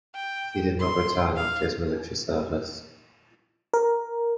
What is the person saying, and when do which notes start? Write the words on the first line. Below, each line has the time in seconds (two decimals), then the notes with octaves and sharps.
He did not return after his military service.
0.15 G5
0.80 C6
1.36 F5
3.73 A#4